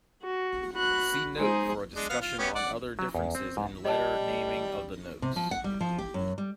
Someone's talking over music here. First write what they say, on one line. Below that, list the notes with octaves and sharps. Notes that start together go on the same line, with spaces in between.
See note for a discussion on other differences in letter naming of the notes.
F#4
F#4 B5 F#6
G#3 D#4 G#4 C5
G#3 D4
B3 F5
F4
B3 C#4 G4
D5 F#5
F#3
E2
C4
G#2
G3 D#5 A5
C3
F3
F#5
G3
F3
G4
F#2
G3